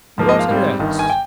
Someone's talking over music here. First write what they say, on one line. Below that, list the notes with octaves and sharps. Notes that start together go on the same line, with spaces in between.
"What as?"
G#2 F3 A#3
D#5
F5
G#2 G3 C4
G1 G2 D#3
G#5
G5